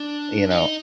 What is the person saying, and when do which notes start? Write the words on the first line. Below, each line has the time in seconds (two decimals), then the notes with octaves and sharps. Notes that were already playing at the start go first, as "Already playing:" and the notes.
you know,
Already playing: D4
0.50 D#4